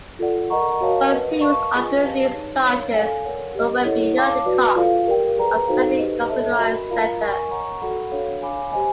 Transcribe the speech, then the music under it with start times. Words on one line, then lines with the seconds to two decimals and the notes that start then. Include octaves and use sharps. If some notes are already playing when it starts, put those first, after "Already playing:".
Consumers argued these charges were well beyond the cost of sending a computerised letter.
0.19 F4 A4 D5 F#5
0.50 A#4 D#5 F#5 A#5 C#6
0.81 F#4 A#4 C#5 F5 A5
1.10 B4 D#5 F#5
1.41 A#4 D5 F5 A5 C#6
1.72 F4 G#4 B4 D#5 G#5
2.02 G4 B4 D5 F5 A5
2.32 D#4 G#4 C#5
2.63 A#4 C#5 F5
2.93 A4 D5 F5 G#5
3.24 A#4 C#5 F#5
3.55 G4 A#4 D#5
3.85 E4 A4 C#5 F#5
4.15 C#5 F5 A5 D6
4.46 F#4 B4 D5
4.76 F4 A4 D5 F5
5.07 G4 A#4 D5 G5
5.38 G#4 B4 D5 G5 A#5
5.67 D#4 F#4 A4 C5 F5
5.98 G4 B4 D#5
6.28 A4 C#5 E5 A5
6.59 F#4 A#4 D#5 G5 B5
6.90 F4 A#4 D5 F5 A#5
7.20 A#4 D#5 G#5 C#6
7.50 C#5 F#5 A#5 C#6
7.80 F#4 A4 D5 F#5 B5
8.11 D4 F#4 A4 C#5 F5
8.42 C#5 F5 G#5 B5 D6
8.72 G4 C5 D#5 G#5